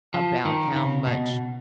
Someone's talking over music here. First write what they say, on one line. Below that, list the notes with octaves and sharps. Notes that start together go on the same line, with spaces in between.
about how much
F3
D#3
C#3
B2